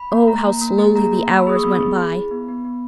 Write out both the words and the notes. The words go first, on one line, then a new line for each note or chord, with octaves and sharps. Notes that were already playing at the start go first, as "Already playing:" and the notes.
Oh, how slowly the hours went by!
Already playing: B5
A#3
A#3 A#5
A#3
A#3
G#4
A#3 A#5
A#3
A#3 B5
E6
G#4 D#6
C#6
B3 B5
G#4
G#4
E4
B3
B3
B3